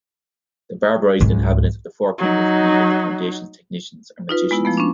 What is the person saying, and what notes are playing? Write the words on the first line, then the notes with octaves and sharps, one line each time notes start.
The barbarized inhabitants of the four kingdoms believe that the Foundation's technicians are magicians.
C#2 G#2
F#3 D#4
D#4 F4 B4
G#3 B3 E4
F3 A3 B3
C#4 D4